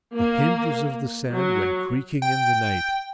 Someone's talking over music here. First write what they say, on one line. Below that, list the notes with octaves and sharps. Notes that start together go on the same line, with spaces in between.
The hinges of the Sand went creaking in the night.
A#3
F#3
G5